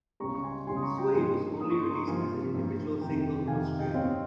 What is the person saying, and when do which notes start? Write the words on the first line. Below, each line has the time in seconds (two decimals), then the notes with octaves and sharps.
"Sway" was only released as an individual single in Australia.
0.20 C#2 C#3 G3 A#5 C#6
0.34 C#6
0.44 G#5 C6
0.67 C#2 C#3 G3 G#5 C6
0.76 D#6
0.83 A#5 C#6
0.98 G5 A#5
1.13 G2 F3 A#3 D#4 G#5 C6
1.61 G2 F3 A#3 D#4 D#6
1.70 C#6
1.81 C6
1.91 A#5 C#6
2.07 G2 F3 A#3 G#5 C6
2.54 G2 F3 A#3
3.01 F2 C3 D#3 G5 A#5
3.47 F2 C3 D#3 F5 G#5
3.79 D#5 G5
3.94 G2 G3 C4 C#5 F5
4.06 D#5